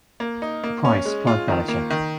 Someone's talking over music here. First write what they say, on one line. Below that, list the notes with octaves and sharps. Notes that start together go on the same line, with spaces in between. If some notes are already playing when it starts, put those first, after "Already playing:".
Price, plant manager.
A#3
D#4
A#3
C#4
G#3
F4
D#3
A#3
D#3